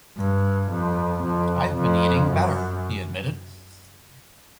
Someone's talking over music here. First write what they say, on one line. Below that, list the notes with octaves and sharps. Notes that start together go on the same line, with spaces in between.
"I've been eating better," he admitted.
G2
F2
F2
F2
F#2